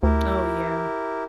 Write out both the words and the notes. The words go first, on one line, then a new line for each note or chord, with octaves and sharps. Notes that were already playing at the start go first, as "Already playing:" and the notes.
Oh, yeah.
D2 E4 G4 A#4